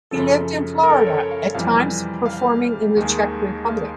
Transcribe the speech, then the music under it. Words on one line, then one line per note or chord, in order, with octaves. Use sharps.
He lived in Florida, at times performing in the Czech Republic.
F#2 C#3 F3 A4
A#4
A4
A#4
C#5
F5
F2 C3 E3 G3 F5
F5
D#2 D#3 G#3
F5